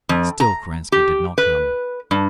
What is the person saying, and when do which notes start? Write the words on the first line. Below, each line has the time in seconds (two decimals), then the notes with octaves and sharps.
Still Kerensky did not come...
0.09 F2
0.40 A#5
0.92 G4
1.38 B4
2.11 G2